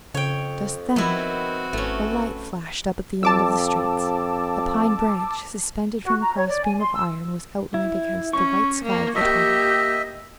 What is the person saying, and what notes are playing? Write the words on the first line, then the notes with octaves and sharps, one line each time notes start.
Just then a light flashed up at the end of the streets; a pine branch suspended from a cross-beam of iron was outlined against the white sky of the twilight.
F2 C#3 C#5 G5
D#3 F3 B3 C4 E4 F#4
G#1 E3 A3 C#4
F2 A5 D6 E6
F#4
A#5
C#5
D5
G#5
C6
E6
E4
C#4 C#6
A#3
A#3 G4 D#5 E5